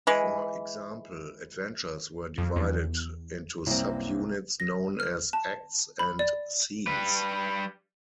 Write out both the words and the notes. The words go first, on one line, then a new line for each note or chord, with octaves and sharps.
For example, adventures were divided into sub units known as "acts" and "scenes".
E3 G#3
F2
E2
C2 F#2 A#3 C4
A#6
F6
A5
B5
D5
G3 B4